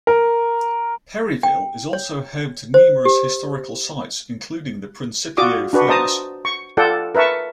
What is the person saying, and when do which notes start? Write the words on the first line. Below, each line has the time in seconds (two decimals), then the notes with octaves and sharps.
Perryville is also home to numerous historical sites including the Principio Furnace.
0.07 A#4
1.43 G5
1.93 C#5
2.74 C5
3.05 G4
5.37 F4 F#4 D5 D6 D#6
5.73 D4 F#4 B4
5.88 C5 D#5 A5 A#5 D#6
6.45 C#6
6.77 F4 A4 D5 F#5 G5
7.15 A#4 B4 E5 A5 C#6